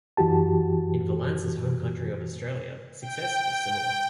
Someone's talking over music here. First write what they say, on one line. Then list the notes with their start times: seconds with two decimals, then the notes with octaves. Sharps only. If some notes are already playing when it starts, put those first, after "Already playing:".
In Valance's home country of Australia, success was similar.
0.17 F#2 E3 F#4 G4 A5
3.02 G5